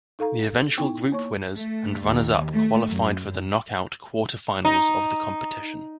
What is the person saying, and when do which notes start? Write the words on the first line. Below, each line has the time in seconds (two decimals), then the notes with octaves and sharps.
The eventual group winners and runners-up qualified for the knock-out quarter-finals of the competition.
0.19 D#4 A4 F5 A#5
0.78 B3 D#4 E4 G5
1.12 A#3 C#5 C#6
1.56 A3
2.01 D#2
2.52 A3
2.88 F#2
4.65 D#4